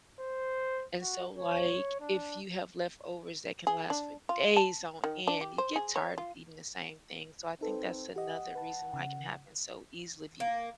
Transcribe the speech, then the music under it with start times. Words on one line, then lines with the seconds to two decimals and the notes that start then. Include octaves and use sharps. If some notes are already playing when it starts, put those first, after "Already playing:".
And so, like, if you have leftovers that can last for days on end, you get tired of eating the same thing. So I think that's another reason why it can happen so easily if you
0.19 C5
1.00 F#4
1.37 C#5
2.00 D4
3.67 G#4
3.90 D4
4.29 F4
4.57 A5
5.04 D#3
5.28 D4
5.41 G4
5.58 C5
5.76 G#4
5.96 C#5
6.18 F4
7.61 C4 D#4 A4 B4
8.16 G4 D#5 F#5
8.55 B4 A5
8.93 C#3
10.40 A#3